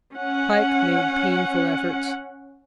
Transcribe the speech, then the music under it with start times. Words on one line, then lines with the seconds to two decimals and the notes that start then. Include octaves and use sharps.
Pike made painful efforts.
0.13 C#4 F#5